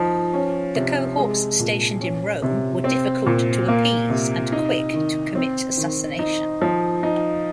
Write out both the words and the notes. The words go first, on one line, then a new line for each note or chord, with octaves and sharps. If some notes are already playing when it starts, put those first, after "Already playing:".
The cohorts stationed in Rome were difficult to appease and quick to commit assassination.
Already playing: F3 D#4
C#4
C3
G#3
A#2
C#4
C3
C4
A#2
A#3
C3
D#4
D#3
C4
D#3
D#4
F3
D#4